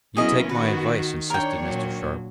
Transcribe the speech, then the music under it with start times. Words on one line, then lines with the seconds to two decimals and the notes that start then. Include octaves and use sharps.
"You take my advice," insisted Mr. Sharp.
0.17 F#3 B3 C#4 E4 G#4 A#4 D#5
0.49 D#3 F#4 B4
1.30 D4 A#4 C#5 G5
1.62 A#2 F#3